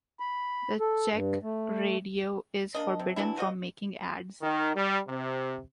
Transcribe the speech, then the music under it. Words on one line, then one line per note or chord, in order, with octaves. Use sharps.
The Czech radio is forbidden from making ads.
B5
A4
G2
A3
A#3 D4 D#5
C3
E3 F#3 D4 E4
F3 F#4 D#5
D#3
G3
C3